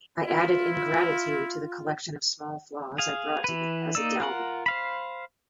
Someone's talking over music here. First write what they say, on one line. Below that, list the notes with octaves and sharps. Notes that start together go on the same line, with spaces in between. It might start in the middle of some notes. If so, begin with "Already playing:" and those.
I added ingratitude to the collection of small flaws I brought to him as a dowry.
E4 F4
G#4 F5
E3 B4
A#3 D#4 D5 E6
F4 A#4 F#5
C5 F5 B5